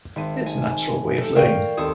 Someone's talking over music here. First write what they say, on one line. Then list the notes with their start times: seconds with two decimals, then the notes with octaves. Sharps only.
It's a natural way of living.
0.16 G#1 D#7
0.46 G#5
1.18 G4 A4
1.35 A#4 D5 F5 G5 C#6 G#6
1.77 D#2 C4 A4 D#6 G#6